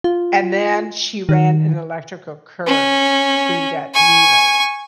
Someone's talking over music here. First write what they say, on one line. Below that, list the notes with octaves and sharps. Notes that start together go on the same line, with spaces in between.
and then she ran an electrical current through that needle.
F4
D#3
C#4
G#5 C#6